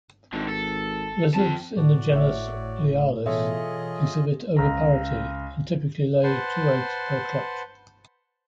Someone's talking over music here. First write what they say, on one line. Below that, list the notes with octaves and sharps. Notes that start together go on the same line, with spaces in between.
Lizards in the genus "Lialis" exhibit oviparity and typically lay two eggs per clutch.
G#1 G#2 D3
A4
F2 C4 A5
A2 F#4 D5
G#1 C#5 E5
B2 E3 F4 G#4 A4 C#5 D#5 E5
C#2 A#5
B4 C5 F#5 A5 C6